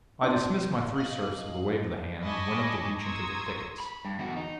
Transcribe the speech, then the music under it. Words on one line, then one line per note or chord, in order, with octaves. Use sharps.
I dismissed my three serfs with a wave of the hand, and went up the beach into the thickets.
D4 D5 C6
D#5 F5 F#7
D#5 G#5 A5 B5 C#6 D6
A#5 C6 C#6 D#6 E6 G#6
B5
G2
E2 F#4
D#4